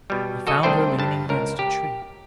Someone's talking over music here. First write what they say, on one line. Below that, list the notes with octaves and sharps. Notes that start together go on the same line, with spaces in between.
He found her leaning against a tree.
B2 G3
F#4 A4 D#5
C2 A3 D4 C5 G5
G2 A5
C#2 A#4
G4